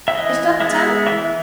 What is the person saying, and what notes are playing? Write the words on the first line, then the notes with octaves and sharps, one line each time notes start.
"Is that ten?"
E5
E3 D#5
G#3 B3 E5
E3 E5